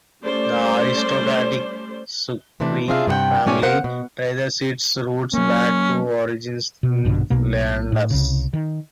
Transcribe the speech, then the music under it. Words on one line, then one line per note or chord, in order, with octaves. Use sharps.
The aristocratic Sucre family traces its roots back to origins in Flanders.
G3 A3 C#4 C5 D5
C3 E3 A3 D4
C4 D4 F4 G#4 E5 F5
G2 C3 G#4 F#5 G5
G#2 A3 C#4 D5 G#5
B3 A#4 C5 F5 F#5
B2
F#3 A#3 C#4
B2
A#1 G2 B2 D3
B1 B2 A#3
A2
C2 C#3
D#3